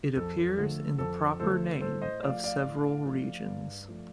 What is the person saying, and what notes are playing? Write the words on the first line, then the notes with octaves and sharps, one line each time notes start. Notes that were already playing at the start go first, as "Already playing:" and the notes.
It appears in the proper name of several regions.
F2 A4
D3 F3 A3
F2 A4
D3 F3 A3 A4 C5
A2 A4 C5
C5 D#5
F3 A3 D5 F5
D5 F5
A2
F3 A3
G2
F3 A3